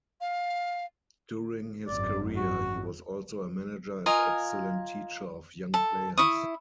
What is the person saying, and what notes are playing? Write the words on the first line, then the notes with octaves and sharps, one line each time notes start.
During his career, he was also a manager and excellent teacher of young players.
F5
G#1 F#2 D5
F#4
F4 A#4 D#5 G#5
A4
E4 C#6 D#6